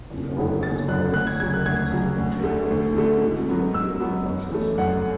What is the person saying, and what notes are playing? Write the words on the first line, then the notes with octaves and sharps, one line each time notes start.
He always played a sports commentator, usually appearing as himself.
F#1
F#2 D3 F#3 B3
F#1 A6
F#2 D3 F#3 B3 F#6
D2 F#6
G#6
C#3 F#3 G#6
F#6
D2 G#6
C#3 F#3
D2
D3 A3
D2
D3 A3
G#2
F#3 B3
G#2 E6
F#3 B3
F#2
E3 A3 C#4
F#2 F#5